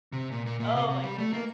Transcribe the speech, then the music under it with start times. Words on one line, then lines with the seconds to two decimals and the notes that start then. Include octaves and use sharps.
Oh my goodness
0.13 C3
0.32 A#2
0.46 A#2
0.60 A#2
0.75 C3
0.89 C3
1.03 G3
1.18 A3
1.33 A#3